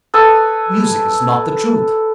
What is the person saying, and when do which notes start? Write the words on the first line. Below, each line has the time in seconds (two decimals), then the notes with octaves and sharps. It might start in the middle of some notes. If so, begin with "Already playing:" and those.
Music is not the Truth.
0.14 A4 B4 G#5 D#6